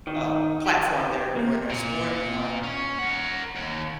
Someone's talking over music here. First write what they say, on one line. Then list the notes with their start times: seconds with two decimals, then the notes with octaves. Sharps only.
uh, platform they're doing their sport on.
0.07 D#3
0.66 G4
1.36 A#3
1.70 A#2
2.63 C#4
2.98 A#4 F#5
3.55 D#2